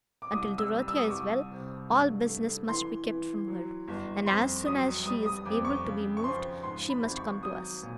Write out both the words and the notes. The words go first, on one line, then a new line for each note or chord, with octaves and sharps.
Until Dorothea is well, all business must be kept from her, and as soon as she is able to be moved she must come to us.
D6
C2 D#6
E6
G3
E6
D#6
D6
C2 C#6
C3
G2
A3
E3 C6
E3
F#3
G1
F2 C6
F#3 D#6
G3 D#6
D#6
F2 D6
C#6
C#3
C#6
F3 C6
G#2 C6
B5
G#1
C#6
F#3 D#6
A#2